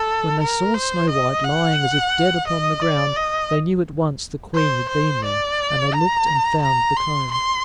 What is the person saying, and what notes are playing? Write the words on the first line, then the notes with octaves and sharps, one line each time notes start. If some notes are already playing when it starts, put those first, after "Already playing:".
When they saw Snow-white lying as if dead upon the ground, they knew at once the Queen had been there, and they looked and found the comb.
Already playing: A4
A#4
C5
D#5
F#5
D#5
D5
D#5
C5
C5
D5
A#5
A#5
C6
C6